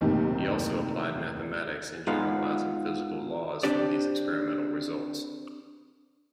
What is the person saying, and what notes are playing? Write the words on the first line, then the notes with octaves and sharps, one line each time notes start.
He also applied mathematics in generalizing physical laws from these experimental results.
F#1 D#2 A2 C3 D#3
G#3 B3 D#4 F4 F5 F#5
C4 D4 G4 D5